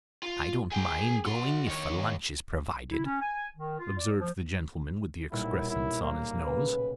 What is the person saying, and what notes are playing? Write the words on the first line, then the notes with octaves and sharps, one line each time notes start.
"I don't mind going if a lunch is provided," observed the gentleman with the excrescence on his nose.
F4
G#4 G5
F#4 C6
D#3 C#5
E4
C#4
G#5
D#3
F4
D5
F3
B1 A#2 G3 E4
E4
A#3
C#3 B4